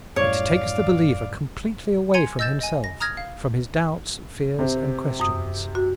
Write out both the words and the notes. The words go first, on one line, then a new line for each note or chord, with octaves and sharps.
It takes the believer completely away from himself, from his doubts, fears, and questions.
F#2 A2 G3 C#5 D5 F5
G#5 A#5 C6 G#6 C#7 D#7
D#5 E6 G6 A6 E7
D#5 G#5
A#6
A#5 D#6 F6 G#6 A#6
F5
C3 C4
F#2 D#6
F#4